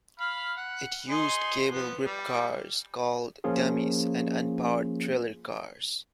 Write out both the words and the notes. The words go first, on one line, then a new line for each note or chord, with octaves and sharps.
It used cable grip cars called "dummies" and un-powered trailer cars.
F5 B5 F6
F#5
D#4 G#4 C6
F3 B3
G3
F3 A#3 C#4 F4 G#4